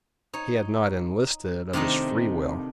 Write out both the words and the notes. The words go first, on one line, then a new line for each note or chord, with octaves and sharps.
He had not enlisted of his free will.
D#4 C#5
C3 D#3 A3 D4 D#4 D#5